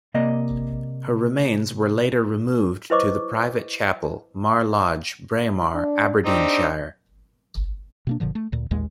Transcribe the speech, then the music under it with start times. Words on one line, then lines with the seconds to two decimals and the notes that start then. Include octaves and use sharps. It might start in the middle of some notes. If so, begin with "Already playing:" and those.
Her remains were later removed to the Private Chapel, Mar Lodge, Braemar, Aberdeenshire.
0.14 C3 A#3 D5 D#5
2.90 E4 B4 C5 D#5 C#6 D6
5.75 D4
6.26 C4 D4 D#4 G4
8.07 B2 A#3 D4
8.20 F#1 A#2 D3 F3
8.35 A3
8.52 D2 A#2
8.71 A1 D#2 A#2 G#3